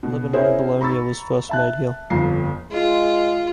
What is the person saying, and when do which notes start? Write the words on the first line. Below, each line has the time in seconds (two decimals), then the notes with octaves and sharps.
Lebanon bologna was first made here.
0.03 B2
0.33 C#4 E4 G#4 A#4 C5 C#5
0.81 A#5 B5 C#6 E6 A6
1.49 E5 A5 F#6
2.10 G1 F2 A#5 C7
2.71 G#3 F4